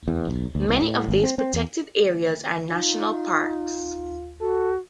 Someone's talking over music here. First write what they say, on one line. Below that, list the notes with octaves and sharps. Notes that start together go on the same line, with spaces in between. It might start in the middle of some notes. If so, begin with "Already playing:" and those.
Many of these protected areas are national parks.
E2
B1
D2
C2
A2
G#1
C4
C4
E2
D#4 F4
F#4 A4